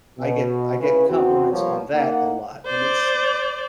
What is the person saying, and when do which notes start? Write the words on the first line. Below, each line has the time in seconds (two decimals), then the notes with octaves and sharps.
I get I get compliments on that a lot, and it's
0.19 B2
0.79 C#2 C#3 C#4 E4 B4
1.08 E2 C4 F#4
1.51 F3 G3 A#3 B3 C#5
1.94 A#3 D#4 F#5
2.66 C5 D5